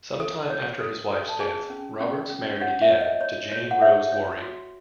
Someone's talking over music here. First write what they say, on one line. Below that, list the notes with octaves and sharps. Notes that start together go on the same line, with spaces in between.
Some time after his wife's death, Roberts married again, to Jane Rose Waring.
A4 D#6
C#5
A4
A4
A5
G#4 G#5
C#4
C#4
C#4
C#5 F#5
E5
C#5
D#5
C#5
C#5
F#5
C#5 E5
C#5
F#4